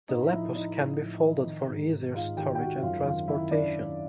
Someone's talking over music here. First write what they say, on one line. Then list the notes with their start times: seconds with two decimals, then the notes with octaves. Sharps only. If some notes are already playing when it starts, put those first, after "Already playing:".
The Lepus can be folded for easier storage and transportation.
0.09 A2 D#4 D#5
0.32 F3 E4 E5
0.55 F3 D#4 D#5
0.78 A2
1.00 F3
1.24 F3
1.46 D#3
1.68 G#2
1.92 G#2
2.14 G#2 F4 F5
2.37 D#3 G4 G5
2.55 G5
2.60 G#2 F#4 F#5
2.76 E5
2.83 F#2 F4 F5
3.05 D#3 F4 F5
3.28 D#3 E4 E5
3.51 D4 D5